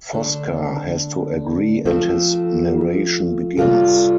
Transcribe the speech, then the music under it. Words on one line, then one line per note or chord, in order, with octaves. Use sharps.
Fosca has to agree and his narration begins.
D3 A3 D4 A4
F3 A3 C4 A4
C3 G3 F4 A4